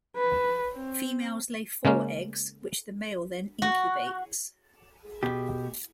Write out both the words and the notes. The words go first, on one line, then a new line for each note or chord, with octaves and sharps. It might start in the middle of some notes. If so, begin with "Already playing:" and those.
Females lay four eggs, which the male then incubates.
B4
C4
C#3 G#3 A#3 C#4
F#4
B2 G4